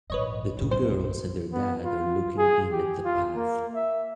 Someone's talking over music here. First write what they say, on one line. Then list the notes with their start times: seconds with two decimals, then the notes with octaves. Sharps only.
The two girls and their dad are looking in at the path.
0.10 A#1 G#2 B4 C#5 D#5
0.57 F#2 A2
0.71 B1 C5
1.53 B3
1.85 F4
2.38 G#4
2.71 G4
3.05 F4
3.36 A#3
3.75 E5